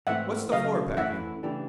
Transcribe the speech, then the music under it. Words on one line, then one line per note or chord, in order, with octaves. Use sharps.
What's the floor-packing?
G#2 E3 A3 C4 E5 F#5
C#3 F#3 A3 D#5 F5
E3 A3 C#4 E4 E5 F#5
C#3 E3 A3 D4 G4